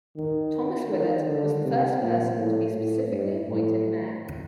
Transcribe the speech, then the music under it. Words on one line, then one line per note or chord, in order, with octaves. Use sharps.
Thomas Willett was the first person to be specifically appointed mayor.
D#3
D#3
D3
C3
A#2
A2
A2
G2
A2